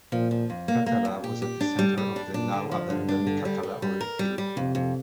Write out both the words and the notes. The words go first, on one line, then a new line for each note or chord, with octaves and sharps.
Katalla was at the center of the now-abandoned Katalla oil field.
A#2 F3
F3
F2
A#3
A#3
F2
A#2 G4
G4
D4
G3
G3
D4
A#2 D4
D3
F3
G2 D3
D4
D3
G3
G3
G3
A#4
G3
G3
F2 C3
F2